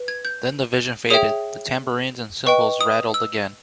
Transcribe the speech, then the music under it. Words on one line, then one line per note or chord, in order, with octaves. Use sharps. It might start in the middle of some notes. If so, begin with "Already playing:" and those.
Then the vision faded, the tambourines and cymbals rattled again.
Already playing: B4
G#6
G6
G#4 C#5 E5 G5 D#6
B4 D#5 G5 C#6
D#6
E6